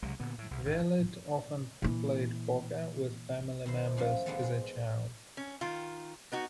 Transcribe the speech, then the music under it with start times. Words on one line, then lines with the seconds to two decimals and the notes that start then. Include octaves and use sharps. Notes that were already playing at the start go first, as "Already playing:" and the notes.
Violette often played poker with family members as a child.
0.03 C2 C#3 F#3 G#3
0.19 A#2 D3 B3
0.38 A2
0.51 C2
0.65 G#1 A2
1.82 A#2 E3
3.66 D#3 E4 C5
3.97 F#2 A#2 F3 A3
4.26 D3 F3 G3 G#3 B3 A4
4.42 G#3
5.37 C#4
5.61 D#3 F4
6.32 B3 D#4 F#4